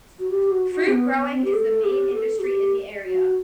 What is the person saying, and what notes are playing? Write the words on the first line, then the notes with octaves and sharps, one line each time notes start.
Fruit growing is the main industry in the area.
F#4
G4
F#4
F#4
C4
B3
B3
C4
G4
A4
G4
A4
F#4
G4
F#4